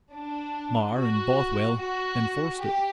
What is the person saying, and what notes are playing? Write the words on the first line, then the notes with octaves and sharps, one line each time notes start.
Mar and Bothwell enforced it.
D4
F#4
F#4
G4